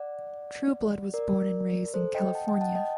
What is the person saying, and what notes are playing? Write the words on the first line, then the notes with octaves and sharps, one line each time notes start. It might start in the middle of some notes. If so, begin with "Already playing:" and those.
Trueblood was born and raised in California.
Already playing: D5 F#5
A#4 D5
A4 C5
D#5 G5
F#5 A5
D#5 G5
F#5 A5
D#5 G5